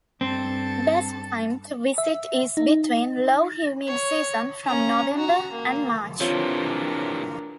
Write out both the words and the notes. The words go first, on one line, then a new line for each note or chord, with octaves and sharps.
Best time to visit is between low humid season from November and March.
G2 C4 A4 A6
E5
D#4
C#5
C#4 A#5
F#4 A#5
A#3
C3 E3 C4 D4 F4 A#4 C#5